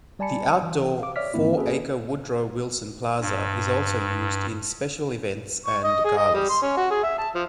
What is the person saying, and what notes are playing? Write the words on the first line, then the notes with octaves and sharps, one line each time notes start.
The outdoor, four-acre Woodrow Wilson Plaza is also used in special events and galas.
G3 D5 G#5 A5 B5 C#7
E3
F5 D6
C#5 D5 E5 D6 F6 B6
G#2 D#3 E3 A#3 C4 E4
A#3 C#4 F#4 G#4 A4 B4
G2
C#6
D#5
G#4
D#5
G3
C6
C#4
F#4
G#4
E5
A5
F3